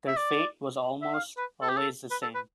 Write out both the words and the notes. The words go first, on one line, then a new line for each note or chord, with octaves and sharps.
Their fate was almost always the same.
E5
D5
E5
F5
B4
A4
G4
A4
B4
A4
B4